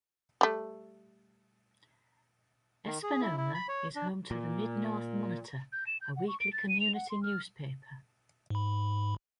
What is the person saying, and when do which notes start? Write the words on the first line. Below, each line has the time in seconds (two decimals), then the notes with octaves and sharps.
Espanola is home to the "Mid-North Monitor", a weekly community newspaper.
0.41 G3 A3
2.86 D#3
3.03 G#4
3.21 E4
3.37 E4
3.54 B5
3.68 C#5
3.96 D4
4.31 A#2
5.73 G6
5.87 E7
6.01 G6
6.16 F#5
6.28 C#6
6.40 D7
6.53 A6
6.69 D#7
6.80 F7
6.95 F#5
7.10 C6
7.23 F6
8.50 G#2 B5